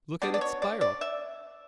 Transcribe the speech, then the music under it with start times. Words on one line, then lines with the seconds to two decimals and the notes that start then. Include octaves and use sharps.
"Look at its spiral!"
0.22 F#3 B3 D4 D5
0.34 D5
0.41 C#5
0.62 D5
0.81 D5
1.01 E5